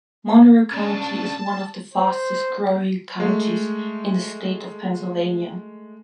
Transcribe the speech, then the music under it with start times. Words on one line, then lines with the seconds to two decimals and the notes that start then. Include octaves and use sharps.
Monroe County is one of the fastest-growing counties in the state of Pennsylvania.
0.71 C#3 D4 A5
1.94 C5
3.20 G#3 A3